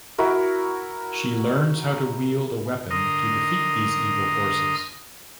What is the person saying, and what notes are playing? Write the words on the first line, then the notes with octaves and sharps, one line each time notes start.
She learns how to wield a weapon to defeat these evil forces.
E4 F#4 A#4
D3 A#4 D#5 A#5 C6 D#6